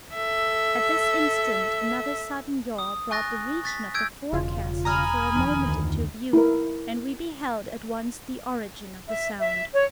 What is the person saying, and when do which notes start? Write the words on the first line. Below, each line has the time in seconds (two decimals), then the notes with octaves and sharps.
At this instant another sudden yaw brought the region of the forecastle for a moment into view, and we beheld at once the origin of the sound.
0.14 A4 E5
2.78 D#6
3.11 G#5 C#6 F#6 A6 A#6
3.64 C#6 A6 B6
3.94 E6 G6 G#6 D7
4.33 E1 C#3 F4
4.85 G#5 A#5 B5 D#6 F6
5.36 F2 D#3
5.68 D2
6.33 E4 A#4
9.08 E5
9.40 E5
9.73 C#5